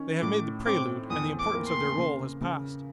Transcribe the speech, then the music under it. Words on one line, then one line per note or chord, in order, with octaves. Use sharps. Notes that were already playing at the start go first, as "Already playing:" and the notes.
They have made the prelude, and the importance of their role has passed.
Already playing: D#3 C#4
A2 D6
C4 D6
E2 D#6
D6
A#3
C6
C#3
C#3